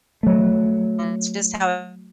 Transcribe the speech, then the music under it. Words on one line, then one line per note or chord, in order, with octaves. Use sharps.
it's just how
F#3 A3